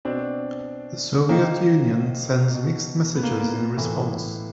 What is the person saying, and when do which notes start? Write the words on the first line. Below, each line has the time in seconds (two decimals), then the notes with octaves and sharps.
The Soviet Union sends mixed messages in response.
0.05 B2 C4 D4
1.29 C3 D#3 A#3 C4
2.54 B2
3.15 B3
3.23 A#3
3.40 A#3
3.77 A2 E3